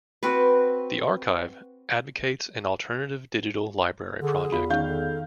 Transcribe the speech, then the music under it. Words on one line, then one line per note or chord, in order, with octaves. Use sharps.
The Archive advocates an alternative digital library project.
C4 F#4 B4
D3 G#4
E2 F4 B5
D#3 C#4 F5 G6
A4